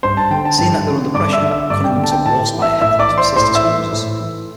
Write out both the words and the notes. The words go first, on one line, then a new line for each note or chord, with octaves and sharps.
Seeing that they were under pressure, Cunningham took "Warspite" ahead to assist his cruisers.
G2 C5 C6
A5
D3 G5
A5
G2 A5
D3
G2 D5 D6
E5 E6
D3
E5 E6
G2 D5 D6
G5
D3
A5
G5
A2 A5
E3
E5 E6
A2 E5 E6
D5 D6
E3
C5 C6
A2 C5 C6
E5 E6
E3
A2
E3